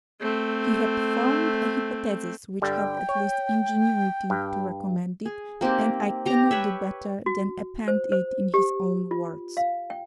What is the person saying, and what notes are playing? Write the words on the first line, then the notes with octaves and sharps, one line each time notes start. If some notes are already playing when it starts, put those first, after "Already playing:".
He had formed a hypothesis which had at least ingenuity to recommend it, and I cannot do better than append it in his own words.
A3 C4
G2 D3 G3 G5
C#5
G2
G#4
A#3 C4 D#4 G4
G4 A#5
B4 C#5 E5
F#4
C5
C5
G4
F4
F5
G5